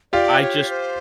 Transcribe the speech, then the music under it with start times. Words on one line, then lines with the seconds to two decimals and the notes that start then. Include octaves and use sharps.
I just
0.13 F4 G4 D5
0.41 C#5
0.70 C5